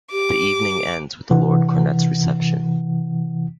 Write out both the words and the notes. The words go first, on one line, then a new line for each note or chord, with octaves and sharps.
The evening ends with the Lord Cornet's Reception.
G4 D6
C3 E3 F#5